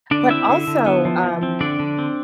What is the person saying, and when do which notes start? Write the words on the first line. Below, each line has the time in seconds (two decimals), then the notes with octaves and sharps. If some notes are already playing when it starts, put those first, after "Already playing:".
But also, um
0.11 D3 D4 D5
0.30 C4 E4 E5
0.49 D3
0.67 D3
0.86 B3
1.05 F3
1.24 F3
1.43 C4
1.61 D3 D4 D5
1.80 D3
1.99 C4